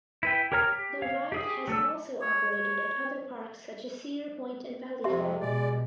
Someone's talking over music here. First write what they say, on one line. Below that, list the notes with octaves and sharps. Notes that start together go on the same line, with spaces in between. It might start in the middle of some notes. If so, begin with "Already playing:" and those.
The ride has also operated at other parks such as Cedar Point and Valleyfair.
E4 B4 G5
G4 A#4 C#5 A#5 F6
G4
C#5 F5
G4 G#4 D#6
F#3 A3 D4 E6
C#5
C#5
F2 C3 G4 E5 C6
B2 G#3 D5